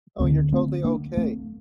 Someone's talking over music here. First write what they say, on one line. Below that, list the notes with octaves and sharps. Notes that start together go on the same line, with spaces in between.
Oh, you're totally okay.
D2 D3 A3 C4
A3 C4
A#3 D4
A3 C4